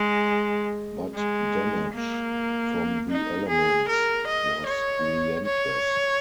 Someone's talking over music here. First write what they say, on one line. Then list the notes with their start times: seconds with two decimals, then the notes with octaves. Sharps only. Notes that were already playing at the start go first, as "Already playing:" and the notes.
But damage from the elements was relentless.
Already playing: G#3
1.15 G#3
1.93 A#3
3.11 D#4
3.49 G#4
3.88 A#4
4.27 D#5
4.67 C#5
5.45 C#5